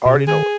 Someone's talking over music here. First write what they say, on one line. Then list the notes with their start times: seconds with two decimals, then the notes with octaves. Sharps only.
I already know it
0.06 B2
0.16 C#3
0.27 D#3 G#4